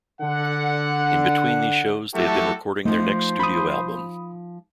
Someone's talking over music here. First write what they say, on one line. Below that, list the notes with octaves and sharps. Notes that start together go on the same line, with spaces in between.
In between these shows they have been recording their next studio album.
D3 F#5
F#3 A3 E4 F#4 G4 A4
F3 A3 D#4 C5
B5 D#6